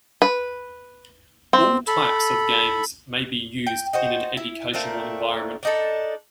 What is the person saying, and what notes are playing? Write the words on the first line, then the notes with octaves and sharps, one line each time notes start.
All types of games may be used in an educational environment.
B4
C4
A4 B5
G5
D#4 F#4 C5
E4
A3 A#3 C4 D4
D4 D#4 A4